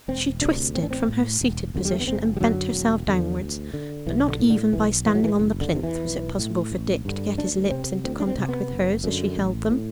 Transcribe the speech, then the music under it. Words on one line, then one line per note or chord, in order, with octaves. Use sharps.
She twisted from her seated position and bent herself downwards, but not even by standing on the plinth was it possible for Dick to get his lips into contact with hers as she held them.
E1 C4
D2 C3 D4
A1 C4
D4
C4
A2
E1
E2 D3 F#3
G3
A3
B3
F#1 C4
G3
F#2 D3 F#3
E1
E2 D3
D2
D3
B1 E3
D3
A2
D3
B1 E3
A2 E3
F#3
E3
F#1
D3
E2 C3
E3
B1
A2
A1
G2 D3
D2 D4
C3 C4
D2 C4
D4
C4
C3
B3
F#1
F#2 D3
A1
A2